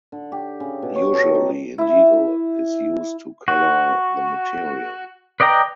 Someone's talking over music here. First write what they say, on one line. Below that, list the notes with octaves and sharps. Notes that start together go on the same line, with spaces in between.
Usually indigo is used to colour the material.
D3
G4
C#3
B2
C#5
A4
D#4
E4 E5
F#4
B4 D5 D#5 G5 A#5